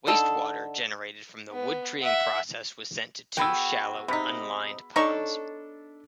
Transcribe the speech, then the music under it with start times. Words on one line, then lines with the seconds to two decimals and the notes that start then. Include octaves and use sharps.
Wastewater generated from the wood-treating process was sent to two shallow, unlined ponds.
0.07 D3 D#4 A4
1.51 B3
2.02 E5 F#5
3.37 B3 F#4 G#4 G5 B5 E6
4.08 C3 D#4 B5 B6
4.96 D4 D#4 A4 C#5 C#6